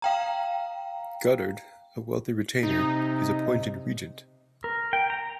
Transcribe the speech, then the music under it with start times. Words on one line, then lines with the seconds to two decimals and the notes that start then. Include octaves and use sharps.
Godard, a wealthy retainer, is appointed regent.
0.02 F5 G5 A#5
2.63 C3 D#4
4.64 A#4
4.93 G5
5.10 A#5